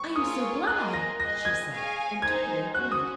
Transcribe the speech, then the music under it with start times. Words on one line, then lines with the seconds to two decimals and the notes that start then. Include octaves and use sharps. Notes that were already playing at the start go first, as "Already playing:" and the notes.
"I am so glad!" she said, and took it in her hand.
Already playing: C#6
0.15 A#3 F4 G#4 C#5 D#6
0.67 A#3 F4 G#4 D#5 F#6
0.93 A#6
1.19 G#4 D#5 G#5 A#6
1.45 G#6
1.71 G#4 C#5 F5 G#5
2.22 D#4 G#4 C5 G#6
2.74 C#4 F#4 C5 F#6
2.92 D#6